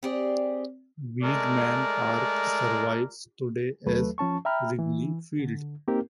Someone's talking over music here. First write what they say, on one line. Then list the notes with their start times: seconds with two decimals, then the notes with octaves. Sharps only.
Weeghman Park survives today as Wrigley Field.
0.03 C4 G4 G#4 D5
1.23 G#3 A3 A#4 D5
3.86 D#2 F#3 A3 A4 B4
4.18 F3 C#4 A5 C#6
4.45 E5 G5 A#5 B5 F6
4.79 E3
5.39 D3
5.88 A#3 C4 D#4 G4 A#4